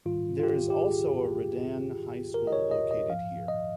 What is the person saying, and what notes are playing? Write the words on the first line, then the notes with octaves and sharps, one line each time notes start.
There is also a Redan High School located here.
G#2 D#3 G3 F4
F4
G4
G4
G#4
A#4
D#5
C#5
D#5
D#5
G#2 F3 F5
D#5